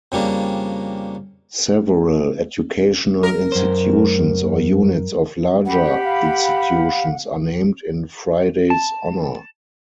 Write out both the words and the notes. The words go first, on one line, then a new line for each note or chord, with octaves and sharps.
Several educational institutions, or units of larger institutions, are named in Friday's honor.
F2 C#3 G3 A#3 D4
A#4
F#2 C5
G4 F#5 B5
F5
A5